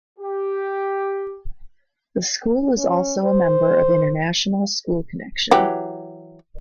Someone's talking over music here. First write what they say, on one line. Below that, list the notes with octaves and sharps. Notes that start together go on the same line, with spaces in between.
The school is also a member of International School Connection.
G4
C#4
C5
E3 F#3 G4